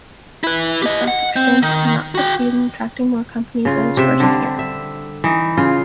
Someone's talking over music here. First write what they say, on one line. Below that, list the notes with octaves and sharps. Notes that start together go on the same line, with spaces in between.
The stock exchange did not succeed in attracting more companies in its first year.
E4 B4
G4 D#5
F#5
C4
D#3
F#4 G5
C#3 F4
C3 C5 E5
D3 G3 D4
E5
E3 D#4
C#3 F4